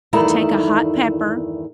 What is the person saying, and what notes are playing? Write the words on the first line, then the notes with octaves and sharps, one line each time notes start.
you take a hot pepper
E2 G2 D#3 A3 E4 A#5